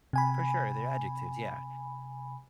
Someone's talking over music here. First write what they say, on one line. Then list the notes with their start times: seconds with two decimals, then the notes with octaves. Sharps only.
For sure, they're adjectives, yeah.
0.13 C3 G#5 B5